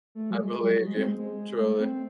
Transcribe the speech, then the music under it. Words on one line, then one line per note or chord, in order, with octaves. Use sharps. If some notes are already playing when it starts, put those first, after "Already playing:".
I believe you, truly.
A3
F#3
G#3
G#3
F#3
F#3
G#3
C4
G#3
G#3
A3
C4